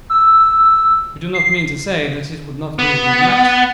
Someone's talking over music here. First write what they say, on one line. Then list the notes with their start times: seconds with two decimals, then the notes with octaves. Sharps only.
"You do not mean to say that it would not be a good match?"
0.10 E6
1.34 C7
2.79 B3